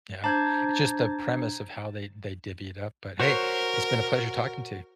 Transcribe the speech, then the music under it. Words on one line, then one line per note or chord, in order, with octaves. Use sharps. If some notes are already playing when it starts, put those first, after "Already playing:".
yeah, it's just the premise of how they they divvy it up, but, hey, it's been a pleasure talking to you.
D4 C5 A5 A#5 G6 G#6
F#4 A#4 C5 C#5